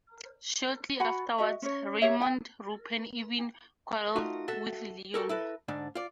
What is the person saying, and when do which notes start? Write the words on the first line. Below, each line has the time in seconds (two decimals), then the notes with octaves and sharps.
Shortly afterwards, Raymond-Roupen even quarreled with Leon.
1.00 F#4 F#5 G#5 B5
1.38 F#4 D#5 E5
1.62 C#4 C#5
2.02 G4 C#5 E5
2.21 G5
4.16 A3 D#4 F4 F#4
4.48 F#4 A4 E5
5.14 F#4 A4 A#4
5.29 E4 A4 B4
5.68 G#2 D3 D4
5.95 F4 D5